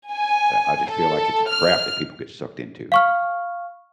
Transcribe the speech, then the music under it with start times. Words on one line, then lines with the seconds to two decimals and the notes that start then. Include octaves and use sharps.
I I just feel like it's a trap that people get sucked into.
0.12 G#5
0.91 A4
1.49 F6
2.92 F5 C#6 F6